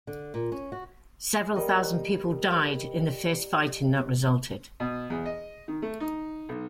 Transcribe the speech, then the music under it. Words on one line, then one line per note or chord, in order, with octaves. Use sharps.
Several thousand people died in the fierce fighting that resulted.
D3
A#2
C#4
F#4
G3 A#3 D#5
B2
E2
D#5
D#3
A3
D#4
B1